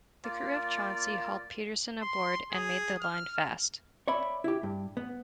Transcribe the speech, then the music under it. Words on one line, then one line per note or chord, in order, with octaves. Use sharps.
The crew of "Chauncey" hauled Peterson aboard and made the line fast.
A#3 F4 D5
C6
G#4
F6
C#5 D5 E5 B5
E4 G4
G2
B3